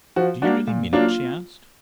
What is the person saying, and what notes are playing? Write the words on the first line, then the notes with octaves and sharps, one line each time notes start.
"Do you really mean it?" she asked.
F3 F#4
A#3 D4 F#4
A#2
F#3 A#3 D4 F4